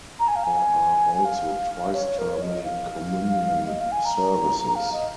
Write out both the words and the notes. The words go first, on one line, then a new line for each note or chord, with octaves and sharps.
There are also twice-termly Communion services.
A#5
G#5
F5
G#5
G#5
F5
C#5
A#4
C#5
D#5
F5
D#5
F5
G#5
A#5
F5
D#5